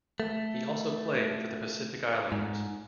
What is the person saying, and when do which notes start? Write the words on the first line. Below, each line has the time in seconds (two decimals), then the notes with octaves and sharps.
He also played for the Pacific Islanders.
0.20 A3
2.32 G#2